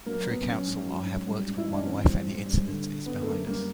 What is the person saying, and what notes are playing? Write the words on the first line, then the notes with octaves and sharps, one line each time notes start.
Through counsel I have worked with my wife and the incident is behind us.
F#3 A#3
F#3 B3
F#3 C#4
G#2
F#3
G#2
G3
G#2
E4
E3 D#4
D4
C#4
E3 C4
G3
G#2
G3
D3
D3
D3 B3
A3
F#2 A#3
G3 A#3